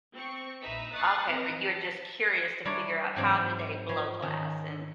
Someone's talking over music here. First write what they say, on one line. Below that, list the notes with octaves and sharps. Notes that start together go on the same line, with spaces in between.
Okay, but you're just curious to figure out how do they blow glass and
C4 C#6
A#1 D#4 B4 E5 B6
C#6 D#6 F#6 A6 C7
C4 B4 D#5 A#5
A5
G3 D4 E4 A#4 C#5 D5
G#2 E3 F#3 C4 D4 G5
F3 C#5
D#3 C#4